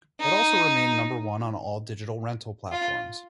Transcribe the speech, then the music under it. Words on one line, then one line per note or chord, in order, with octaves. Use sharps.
It also remained number one on all digital rental platforms.
D#4
F4